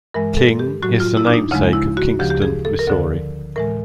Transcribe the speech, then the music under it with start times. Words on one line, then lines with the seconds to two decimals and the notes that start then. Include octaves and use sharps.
King is the namesake of Kingston, Missouri.
0.14 G2 E3 G#3 A#4
0.37 A4
0.59 G4
0.82 A2 F#3 F#4
1.00 F4
1.17 E4
1.27 D4
1.34 D#4
1.51 D2 C#3 F3 G#3 D#4
1.73 E4
1.97 F#4
2.19 D2 C#3 F3 G4
2.30 G4
2.42 G#4
2.65 A4
2.79 A#4
2.87 D2 D3 F3 A4
3.56 A2 E3 G#3 A#4